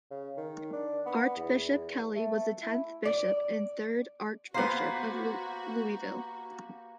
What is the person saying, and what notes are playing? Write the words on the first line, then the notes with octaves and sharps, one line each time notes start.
Archbishop Kelly was the tenth Bishop and third Archbishop of Louisville.
C#3
D#3
D4
B3
E2
A3
E4
D5
A#3 B3 F#4 G4 B4 C5